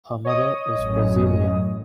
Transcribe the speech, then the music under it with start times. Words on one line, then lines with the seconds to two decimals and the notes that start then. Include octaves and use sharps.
Her mother is Brazilian.
0.25 C#5 D#5 D#6
0.77 A1 F#2